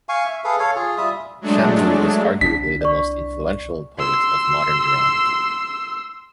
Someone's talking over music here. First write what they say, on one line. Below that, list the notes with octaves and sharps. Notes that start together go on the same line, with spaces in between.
Shamlou was arguably the most influential poet of modern Iran.
F5 G#5 C#6
E5
G#4 A4 B4 F5
A4 C#5 F5
F4 G#4
G3 F4 E5 D#6
F#3 G#3 A3 D4
C2 D4 B6
D5 C#6
C6 E6